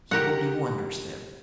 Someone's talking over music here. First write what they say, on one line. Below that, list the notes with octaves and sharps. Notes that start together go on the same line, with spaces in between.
"He will do wonders then."
G4 A#4 F#5